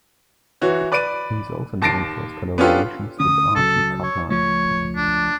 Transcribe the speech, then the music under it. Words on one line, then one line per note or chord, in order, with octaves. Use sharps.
He is also known for his collaborations with Artie Kaplan.
E3 F#4 C#5
B4 D5 D6 D7 D#7
D#2 A5 A6 A#6 C7 D7
B3 C#4 D4 F4 G4 A4
D2 D3 C#4 D#6
C#2 C#3 F#3 A4
C#5
C#2 F3 A3 C#5
D4